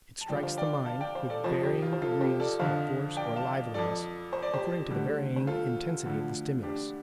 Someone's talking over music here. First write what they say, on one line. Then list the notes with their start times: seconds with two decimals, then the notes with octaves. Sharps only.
It strikes the mind with varying degrees of force or liveliness according to the varying intensity of the stimulus.
0.21 A5
0.28 G2 D3 F3 D5 G5
0.43 C5 F5
0.58 D5 G5
0.86 F5 A5
1.01 D5 G5
1.15 C5 F5
1.30 A4 D5
1.43 F2 C3 F3 G4 C5
1.63 G4 C5
1.82 F4
1.93 C5
2.02 F4 A4
2.12 A4
2.21 G4 C5
2.40 A4 D5
2.59 F2 D3 F3 C5 F5
3.17 D5 G5
3.36 F5 A5
3.74 F2 F3 A4 D5
4.33 C5
4.43 D5
4.54 G4 C5
4.90 D2 D3 G3
5.36 C5
5.47 F4 A4
6.05 D2 D3 F3
6.63 D4 G4